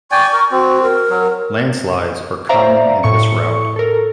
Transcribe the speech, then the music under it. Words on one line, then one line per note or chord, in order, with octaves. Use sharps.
Landslides are common in this route.
D5 G5 G#5 C#6
A#4
C4 F#4
A#4
F#3
C5 D5 E5 F5 A#5
A2 C#6 C#7
A4 A#4